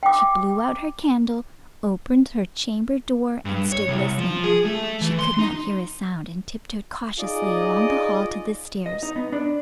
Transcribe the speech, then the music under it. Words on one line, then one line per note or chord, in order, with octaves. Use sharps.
She blew out her candle, opened her chamber door and stood listening. She could not hear a sound, and tiptoed cautiously along the hall to the stairs.
G5 D6
G2
C#5
C2
F3
G#4
A3
E3
C6
D#4
D#4 F4 G#4 D5 D#5
D#5
D#4
B3
D4